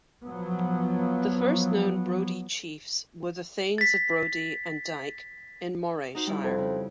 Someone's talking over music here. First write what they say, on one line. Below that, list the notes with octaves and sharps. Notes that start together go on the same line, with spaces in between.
The first known Brodie chiefs were the Thanes of Brodie and Dyke in Morayshire.
F3 F#3 B3
A6 B6
D#4 F#4 C5
G3 E4
F2
C#3